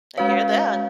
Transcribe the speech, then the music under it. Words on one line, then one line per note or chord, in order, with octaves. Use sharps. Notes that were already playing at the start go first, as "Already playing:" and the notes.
I hear that.
G#3 C#4 F#4 B4 C#5 F5